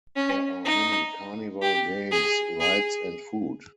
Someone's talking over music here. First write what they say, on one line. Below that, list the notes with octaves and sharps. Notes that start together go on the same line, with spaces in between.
There are many carnival games, rides, and food.
C#4
D#4
G4
G#4
G#4